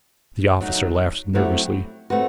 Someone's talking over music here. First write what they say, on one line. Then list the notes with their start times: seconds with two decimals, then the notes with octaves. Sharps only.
The officer laughed nervously.
0.61 F#3 A3 D#4
1.35 F#3 A3 C4 E4 G4
2.10 A3 C4 F#4 B4